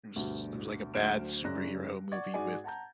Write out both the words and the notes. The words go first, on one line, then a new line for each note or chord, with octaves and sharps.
it was it was like a bad superhero movie with,
D2 G2 B2
D2 F#3 C5 F6 D7 E7
F#2 C#3 C#4 D5 F#6 A#6
D5 F#5 C#6 G#6 A6
G#2 F#4 G#4 D5 F#5 G#5
F#5 A5 A#5 G6